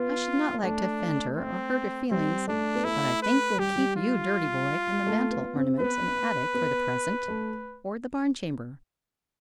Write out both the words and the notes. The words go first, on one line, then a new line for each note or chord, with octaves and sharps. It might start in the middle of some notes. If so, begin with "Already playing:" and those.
I should not like to offend her or hurt her feelings, but I think we'll keep You Dirty Boy and the mantel ornaments in the attic for the present, or the barn chamber.
Already playing: B3 F4
A3 D4
C4
G3 C4
A3 D4
B3
A3 E4
B4
G3 G4
G3
F4
A3
B3
C4
B3 B4
B3
A3